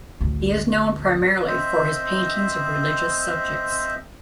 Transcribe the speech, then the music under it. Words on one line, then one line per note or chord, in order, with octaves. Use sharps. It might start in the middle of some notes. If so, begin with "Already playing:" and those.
He is known primarily for his paintings of religious subjects.
A1 D2
C4 C5 D#5 E5